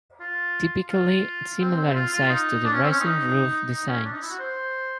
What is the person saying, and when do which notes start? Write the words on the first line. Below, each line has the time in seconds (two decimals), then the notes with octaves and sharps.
Typically similar in size to the rising roof designs.
0.20 F4
0.90 F4
1.61 C4
1.78 C4
1.95 F4
2.12 F4
2.29 D#4
2.65 D4
2.73 C#4
2.83 C4
2.91 C#4
3.00 D#4
3.70 D#4
3.87 C#4
4.05 D4
4.13 D#4
4.22 E4
4.30 F#4
4.39 C5